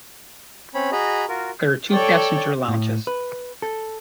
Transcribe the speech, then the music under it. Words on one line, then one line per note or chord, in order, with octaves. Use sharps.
There are two passenger lounges.
C4 C#4 C#5 B5
F#4 G#4 D#5 A#5 B5
F4 F#4 A#4
A4 C#5 D5 G5
A2
B4
A4